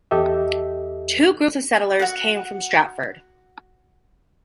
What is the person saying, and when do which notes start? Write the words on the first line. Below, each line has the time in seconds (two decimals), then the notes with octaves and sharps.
Two groups of settlers came from Stratford.
0.11 E2 G4 A4 D#5 E5
2.00 F#4 F#5